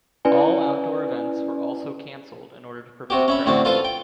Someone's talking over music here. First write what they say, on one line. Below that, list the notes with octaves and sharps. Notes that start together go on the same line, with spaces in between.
All outdoor events were also cancelled in order to prevent crowds.
C#4 E4 B4 D5 G#5
C3 F#4 G4
C#4 E5 B5
A2 D3 C4 F#4 A5
F4 A4 B4 C5 F5
G5